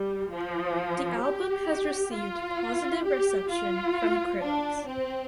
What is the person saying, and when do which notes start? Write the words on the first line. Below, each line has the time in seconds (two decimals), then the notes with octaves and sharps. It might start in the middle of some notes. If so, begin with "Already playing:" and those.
The album has received positive reception from critics.
Already playing: G3
0.31 F3
1.22 G4
2.13 F4
3.05 G4
3.51 F4
4.41 D4
4.87 C4